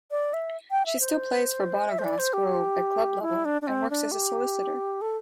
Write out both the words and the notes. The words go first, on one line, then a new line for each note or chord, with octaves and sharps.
She still plays for Bonagrass Grove at club level and works as a solicitor.
D5
E5
G5
E5
C5
E5
C5
D5
C5
G4
E4
D4
D4
C4
D4
G4
A4